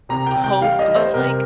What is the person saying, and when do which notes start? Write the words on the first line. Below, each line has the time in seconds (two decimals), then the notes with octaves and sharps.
hope of, like
0.09 C3 A#5
0.26 G5
0.35 C3
0.44 G5
0.61 G3 F5
0.79 D#5
0.88 G3
0.96 C5
1.14 C3 A#4